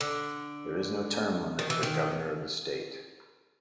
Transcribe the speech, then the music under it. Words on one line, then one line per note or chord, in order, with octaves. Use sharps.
There is no term limit for governor of the state.
D3
D#3
E3
D#3